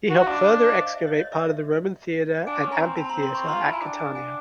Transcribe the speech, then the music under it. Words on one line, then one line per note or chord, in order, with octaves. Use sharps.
He helped further excavate part of the Roman theater and amphitheater at Catania.
F#4
D#5 F5
D4
D#5 F5
C5 D5
C5 D5
D#5 F5
D5 E5
C#5 D#5
C#5 D#5
D5 E5
D5 E5
D4 F#5 G#5
C#4
G#5 A#5
C4
C4 A5 B5
A#5 C6
C4
A#5 C6
C4 B5 C#6
F4 A#5 C6
A5 B5
E4
G#5 A#5
D4 G5 A5
F#5 G#5
F#5 G#5